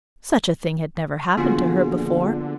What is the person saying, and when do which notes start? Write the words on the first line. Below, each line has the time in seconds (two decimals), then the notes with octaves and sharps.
Such a thing had never happened to her before.
1.37 A#1 D3 B3 F4 F#4 G#4